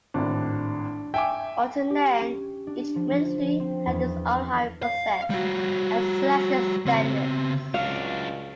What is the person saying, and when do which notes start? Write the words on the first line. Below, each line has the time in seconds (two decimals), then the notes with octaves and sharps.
Until then, each ministry had its own hiring process and selection standards.
0.14 G#1 A2 D4
1.14 E5 G5 G#5 D6
1.90 G4
2.21 C#4
2.67 D4
2.95 F3
3.11 F3
3.60 C4
3.87 E2
4.40 F6
4.83 F5
5.30 G3 F#4
6.86 C#3 C4
7.74 C#2 F#3 D4 F5